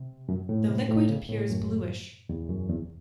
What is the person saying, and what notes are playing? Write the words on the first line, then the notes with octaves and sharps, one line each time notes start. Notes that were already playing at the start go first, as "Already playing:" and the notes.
The liquid appears bluish.
Already playing: C3
F#2
A2
C3
A2
C#3
A2
F#2
E2
F#2
E2